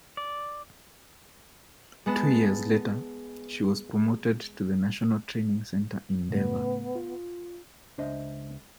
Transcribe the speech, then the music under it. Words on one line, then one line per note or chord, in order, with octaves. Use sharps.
Two years later, she was promoted to the national training center in Deva.
D5
G#3 B3 A5
A2 C#3 A3 B3
F4
C#2 D4 C5 D#5 E5